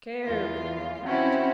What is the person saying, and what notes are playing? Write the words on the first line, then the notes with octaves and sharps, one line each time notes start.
Care killed a cat.
E2 F4
C4 C#4 E4 F#4